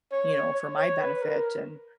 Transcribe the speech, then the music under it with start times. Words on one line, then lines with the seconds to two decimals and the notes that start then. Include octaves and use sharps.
you know, for my benefit, and,
0.12 C#5
0.34 C#5
0.56 C#5
0.78 C#5
1.00 B4
1.22 A#4